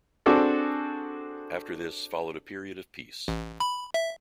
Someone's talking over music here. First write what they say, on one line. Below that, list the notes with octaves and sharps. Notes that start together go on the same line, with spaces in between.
After this followed a period of peace.
C4 D4 F#4 G#4 A4 D5
A1
B5
E5